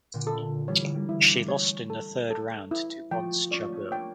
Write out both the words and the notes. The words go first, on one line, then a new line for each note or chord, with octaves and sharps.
She lost in the third round to Ons Jabeur.
A#2 D3
A4
E3 G3 C#5
G3 A#3
E4
A#3 D4
A3 C#4 C#5
A4
A4
E4
F3 A3 G5
A3 C#4 D5
A3 C#4
A#3 D4 G5